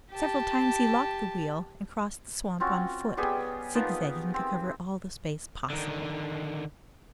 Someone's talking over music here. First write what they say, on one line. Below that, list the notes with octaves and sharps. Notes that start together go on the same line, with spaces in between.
Several times he locked the wheel and crossed the swamp on foot, zigzagging to cover all the space possible.
G4 A5
C4 C#4 F4 F#4
G3 B3 G4 G#4
F3 A#3 B3 D#4
C4
D3 D#3